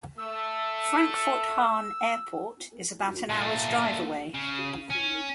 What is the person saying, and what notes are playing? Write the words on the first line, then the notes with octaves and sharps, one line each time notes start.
Frankfurt-Hahn Airport is about an hour's drive away.
A3 E6
A#2 A3
C#3
C#4